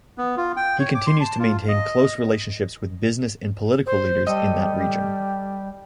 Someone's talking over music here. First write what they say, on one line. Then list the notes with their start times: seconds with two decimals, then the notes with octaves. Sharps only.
He continues to maintain close relationships with business and political leaders in that region.
0.18 B3
0.37 F4
0.57 G5
0.79 C#5
0.95 D6
1.07 C6
1.20 A5
1.39 F4
1.68 D#5
3.86 C5
4.27 G3 A4 D#5